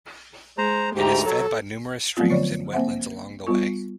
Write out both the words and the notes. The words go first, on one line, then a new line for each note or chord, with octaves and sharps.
It is fed by numerous streams and wetlands along the way.
G#3 C5 A#5
D2 G#2 G4 A#5
F#3 A4
F3 F#3 A3 B3 C4 F4
D3 C#5 D5
A#3 C4 C5 E5 F#5
G3 B3 F4 C#6